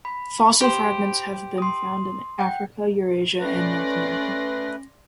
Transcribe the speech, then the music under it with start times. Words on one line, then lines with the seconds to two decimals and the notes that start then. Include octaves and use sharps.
Fossil fragments have been found in Africa, Eurasia, and North America.
0.05 B5
0.61 G4 C5
1.58 C6 D#6
2.39 F#5 G5
3.40 A3 C#4 B4 D5 C6 A#6